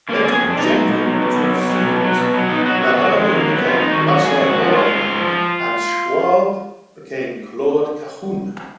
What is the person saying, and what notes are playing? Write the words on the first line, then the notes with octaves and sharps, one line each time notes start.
They took gender-neutral pseudonyms: Malherbe became Marcel Moore, and Schwob became Claude Cahun.
D3 A#3
F#3 G#4
F2
D4
B2 D#4
F#3
B2
F#3
B2
F#3
B2
F#3
B2
F#3
B2
F#3
B2 D#4
F#3 F#4
B2 F#4
F#3 F#4
F2 G#3
D#3 A#3
F#3
B3
F2
F4
F2 D#4
D#3 F#4
F#3 F#4
F2 G#4
G#2 F#4
F3
G#3 F4
G#2
G#2
F3